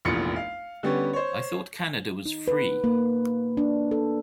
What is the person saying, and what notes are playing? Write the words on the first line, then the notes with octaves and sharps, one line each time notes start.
I thought Canada was free.
F1 A#1 E2 F4 C#7
F5
D3 G3 B3 C#4 G4
C5 C#5
D#4
B4
A#3
D4
A4